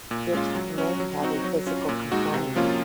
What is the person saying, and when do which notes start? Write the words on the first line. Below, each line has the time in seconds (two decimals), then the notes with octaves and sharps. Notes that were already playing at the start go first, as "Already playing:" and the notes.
It may have a physical companion.
0.11 A#2
0.33 G#3 C#4 F4
0.55 F#3
0.78 C#4 F#4
1.00 F#3
1.22 C4 D#4 F#4
1.44 F#3
1.67 C#4 F4
1.89 A#2
2.12 G#3 D#4 F#4
2.34 C3
2.56 F3 A#3 C#4 F4